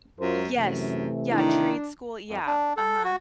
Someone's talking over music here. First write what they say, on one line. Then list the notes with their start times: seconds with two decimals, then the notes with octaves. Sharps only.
Y yes. Yeah, trade school, yeah. Uh-huh.
0.20 F#2 F4 A#4 C5
0.56 F#2 C3 E3 A3
1.31 D#3 D4 E4
2.28 F2
2.46 D4
2.77 A4
3.05 F#4